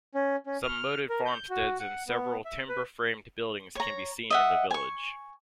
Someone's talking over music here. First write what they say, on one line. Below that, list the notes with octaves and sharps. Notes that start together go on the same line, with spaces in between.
Some moated farmsteads and several timber-framed buildings can be seen in the village.
C#4
C#4
F6
A#4
G6
F#4
F#5
B3
E5
B4
C#5 A#5
D#5 E5 F#5
G#5 C#6